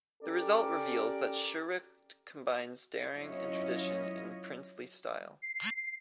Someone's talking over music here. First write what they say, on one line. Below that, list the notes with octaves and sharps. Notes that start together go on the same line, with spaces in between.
The result reveals that Schuricht combines daring and tradition in a princely style.
C#4 G4 A4 A#4 D5
F#3 C#4 E4 F4 C#5 D#5
C7